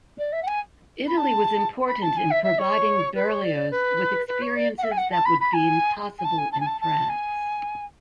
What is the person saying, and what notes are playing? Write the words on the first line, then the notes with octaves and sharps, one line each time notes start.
Italy was important in providing Berlioz with experiences that would be impossible in France.
D5
E5
F#5
G#5
B5
A5
B5
A5
G#5
E5
E5
C#5
B4
C#5
D5
B4
B4
C#5
D5
F#5
E5
G#5
F#5
A5
B5
B5
G#5
G#5
A5
G#5
A5
G#5
A5
A5
G#5